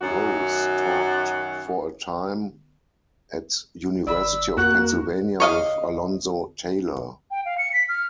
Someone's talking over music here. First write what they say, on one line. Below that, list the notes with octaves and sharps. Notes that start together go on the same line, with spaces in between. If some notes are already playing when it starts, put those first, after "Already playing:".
Rose taught for a time at University of Pennsylvania with Alonzo Taylor.
F#2 D#3 F#4
G#1 D5 B5 E6
F2 A#3 F#4 F#6
C#5 D#5 F5
G5
F5
C#7
B6
F6